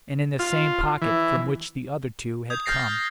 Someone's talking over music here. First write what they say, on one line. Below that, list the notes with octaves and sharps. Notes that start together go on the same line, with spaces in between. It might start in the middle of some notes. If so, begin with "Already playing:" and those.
And in the same pocket from which the other two had come.
F4
E3
D#6 G6 G#6
F6 G6 A6 A#6 C7